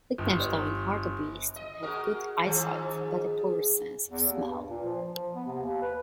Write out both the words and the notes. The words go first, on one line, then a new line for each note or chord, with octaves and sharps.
Lichtenstein's hartebeest have good eyesight but a poor sense of smell.
G1
D#5
G#3 F#4 A#4
G#2 D#3 F3
E2
D#2
G2
A#2
F3
F3
B3
C3
D#2
B4